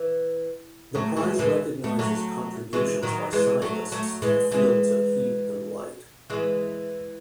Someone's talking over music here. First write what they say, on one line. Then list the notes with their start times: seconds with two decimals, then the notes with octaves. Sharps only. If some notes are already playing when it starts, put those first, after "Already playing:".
The prize recognizes contributions by scientists to the fields of heat and light.
Already playing: E3
0.95 F#3 A3
1.16 E3 G#3
1.39 E3 G#3
1.84 A3
1.99 F#3 A3
2.73 E3 G#3
3.03 D#3 F#3
3.33 E3 G#3
3.62 F#3 A3
3.92 F#3 A3
4.22 E3 G#3
4.52 E3 G#3
6.30 E3 G#3